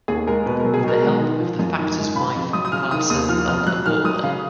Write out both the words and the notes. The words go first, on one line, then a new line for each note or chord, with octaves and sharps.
With the help of the factor's wife, Palliser held a ball there.
D#2 G#4
G#3 A#4
B2 B4
F#3 A#4
G#4
B2 A#4
G#3
D#3
F3
F#2
D#3
G#2
C#3 B5
F2
F#3 D#6
D#6
C#3 F6
D#3 D#6
D#2 D#6
F3 F6
F2 F6
F#3 F#6
D#3 F6
F#3 D#6
C#3 F5